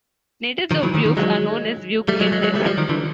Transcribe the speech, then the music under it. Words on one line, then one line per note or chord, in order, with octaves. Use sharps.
Natives of Vieques are known as Viequenses.
D#3 F3
E3 F#3
D#3 F3
D#3 F3
F#3 G#3
G3 A3
F#3 G#3
A3
F#3 G#3
F#3 G#3
G3 A3
F3 G3
D#3 F3
D3 E3